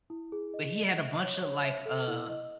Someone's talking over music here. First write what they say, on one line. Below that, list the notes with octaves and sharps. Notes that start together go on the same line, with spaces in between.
but he had a bunch of, like, uh
E4
G#4
D#5
D#5
E5
C#5
C#5
E5
A4
E4
D#5